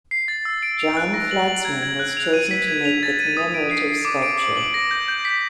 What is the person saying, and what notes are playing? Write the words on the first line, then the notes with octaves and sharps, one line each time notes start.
John Flaxman was chosen to make the commemorative sculpture.
C7
A6
E6
D7
F7
F#6
A#6
F#7
F#7
G#6
G#6
F#6
F7
D#7
B6
G#6
F7
A6
D#7
D#6
D7
C7
C7
D6
D7
F#7
F#7
A#6
G6
G6
B6